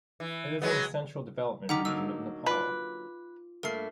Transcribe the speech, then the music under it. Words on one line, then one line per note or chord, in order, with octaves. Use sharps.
It is in the Central Development Region of Nepal.
E3
F#3 G#3 B3
D3 D#3 D#4 F#5 A#5 D6 F6 B6
D3 F#3 A#3 D#4 E6
F4 B4 D6
G2 A3 A#3 A#4 C7